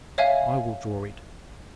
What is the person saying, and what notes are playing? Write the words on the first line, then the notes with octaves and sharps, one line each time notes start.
"I will draw it."
C#5 E5 F5 G#5